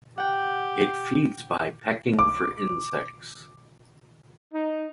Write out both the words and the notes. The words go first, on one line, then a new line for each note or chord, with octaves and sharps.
It feeds by pecking for insects.
G4 F#5 G5
D6
D#4